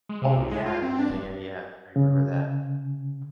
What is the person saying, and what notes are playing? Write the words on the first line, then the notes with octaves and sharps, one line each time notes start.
Oh, yeah, yeah, yeah, yeah, I remember that.
G#3
C3
C2
G#3
F4
C4
D4
D1
C#3